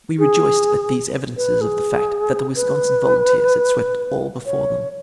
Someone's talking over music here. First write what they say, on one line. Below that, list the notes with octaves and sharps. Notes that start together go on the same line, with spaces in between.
We rejoiced at these evidences of the fact that the Wisconsin Volunteers had swept all before them.
G#4
B4
G#4
B4
C#5